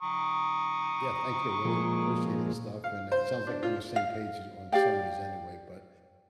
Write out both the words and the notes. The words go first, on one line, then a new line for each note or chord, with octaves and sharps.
Yeah, thank you, really 'preciate and stuff, and, uh, it sounds like we're on the same page as on some of these anyway, but,
A#5 C#6 D#6
A#2 F3 G#3
F5
C5
D4
F4
F5
G4 D5 F5 G5